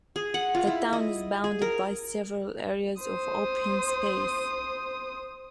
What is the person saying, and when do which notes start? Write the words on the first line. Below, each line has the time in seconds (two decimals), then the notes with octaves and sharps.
The town is bounded by several areas of open space.
0.16 G#4
0.34 F#5
0.55 F4
0.67 E4
0.93 D#5
1.44 G#4
1.62 A#4
3.01 C5 D#6